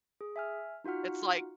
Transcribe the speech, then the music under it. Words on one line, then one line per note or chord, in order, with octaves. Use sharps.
It's like
G#4
E5 G#5 F6
D#4 F4 F#4 F#5 F6